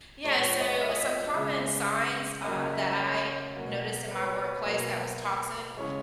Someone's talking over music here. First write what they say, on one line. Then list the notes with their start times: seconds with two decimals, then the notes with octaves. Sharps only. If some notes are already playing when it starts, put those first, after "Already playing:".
Yeah, so some common signs, uh, that I noticed in my workplace that was toxic
0.24 A#2 G#3 C#5
0.42 C#5
0.60 D#5
0.79 E5
0.89 D#5
1.00 E5
1.34 C#3 G#3
2.44 C#3 F#3 A#3 D#5
2.73 E5
3.01 C#5
3.55 B2 F#3 A#3
4.11 B4
4.18 C#5
4.25 B4
4.66 B2 F#3 A#3
5.77 C#3 E3 G#3 C#5